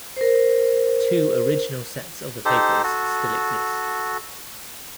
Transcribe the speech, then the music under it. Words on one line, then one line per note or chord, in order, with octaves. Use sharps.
Two original sets of the papers still exist.
A#4 C5
D#4 G4 A4 C5
F#4 A4